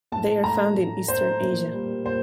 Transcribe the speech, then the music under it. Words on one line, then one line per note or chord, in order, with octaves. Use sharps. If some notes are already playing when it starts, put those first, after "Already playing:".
They are found in eastern Asia.
A2 A5
A3 A#5
A2
A3 C5
A#2
G3 A#3
A#2 C5